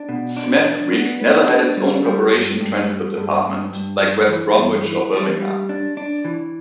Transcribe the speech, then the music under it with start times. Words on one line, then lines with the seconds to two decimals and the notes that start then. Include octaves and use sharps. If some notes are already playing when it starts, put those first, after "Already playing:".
Smethwick never had its own Corporation Transport Department, like West Bromwich or Birmingham.
Already playing: D4
0.09 B2
0.37 D4
0.65 D4
0.93 B3
1.21 B3
1.49 D4
1.77 G3
2.05 G3
2.34 G2
2.61 G2
2.89 G3
3.17 G2
3.45 G2
3.73 G2
4.00 G2
4.29 E3
4.57 G2
4.85 E3
5.13 G3
5.40 G3
5.69 D4
5.97 D4
6.25 E3